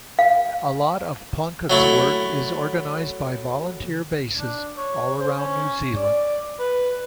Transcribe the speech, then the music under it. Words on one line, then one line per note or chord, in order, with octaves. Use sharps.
A lot of Plunket's work is organised by volunteer bases all around New Zealand.
F5
F#3 A3 E4
D4
C#5
C5
C#4
D5
B4